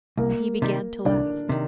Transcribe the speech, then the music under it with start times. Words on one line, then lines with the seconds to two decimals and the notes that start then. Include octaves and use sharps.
And he began to laugh.
0.17 C2 A#3 A#4
0.62 C3 D#3 G3
1.05 C2 D4 D5
1.49 C3 D#3